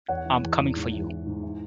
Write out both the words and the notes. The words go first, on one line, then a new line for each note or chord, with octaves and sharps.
I'm coming for you!
E2 C#5 F#5
E3
E2
E2
G#2
E3
E3
G#2
E3